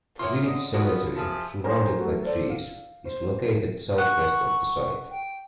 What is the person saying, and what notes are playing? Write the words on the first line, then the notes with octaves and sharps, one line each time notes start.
The village cemetery, surrounded by trees, is located southwest of the site.
E3 A#3 B3 F4 C#5 C6
D3 D#5
B3 F4 F#4 A4 D5 C6 D#6 G6
F3 G#4 E5 A5
A#4 C5 C#5 G#5 A#5 C6
F#3 A3 F#4
A4 C5 D5
F5
C5
F#5 C#6
G5